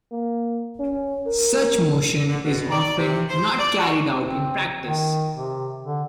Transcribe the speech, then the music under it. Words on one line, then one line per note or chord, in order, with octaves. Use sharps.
Such motion is often not carried out in practice.
A#3
C#4
A#4
D3
B2
D5
C3
C5
D5
F#4
C4
D#3
C3
D3